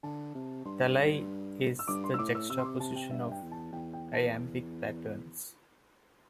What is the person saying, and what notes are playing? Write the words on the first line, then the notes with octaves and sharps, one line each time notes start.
Thalai is the juxtaposition of iambic patterns.
D3 A5
C3
G2 C6
E6
G2 D6
C6
G2 E6
A2 D6
E6
C3 E6
C6
D6
C3 A5
G5
G2 E5
G5
E2
A5
E2 G5
G5
A5